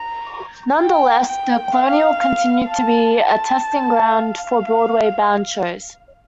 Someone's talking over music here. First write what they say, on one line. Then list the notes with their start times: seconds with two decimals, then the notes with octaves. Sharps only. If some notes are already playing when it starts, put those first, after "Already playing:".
Nonetheless, the Colonial continued to be a testing ground for Broadway-bound shows.
Already playing: A#5
0.81 G5
1.28 G5
1.75 F5
2.69 A5
3.16 A5
4.10 F5